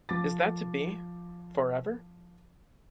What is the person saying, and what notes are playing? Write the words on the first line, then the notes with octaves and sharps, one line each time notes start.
Is that to be — for ever?
F3 D6 A6